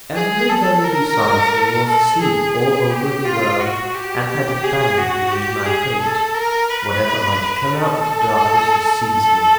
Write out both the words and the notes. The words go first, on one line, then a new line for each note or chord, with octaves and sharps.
Everybody besides me was asleep all over the world, and had abandoned me to my fate, whatever might come out of the darkness to seize me.
G#4
A4
A#4
A4
G#4
G4
F4
F#4
G4
G4
G#4
F#4
G4
G#4
A4
A#4
B4
A4
A4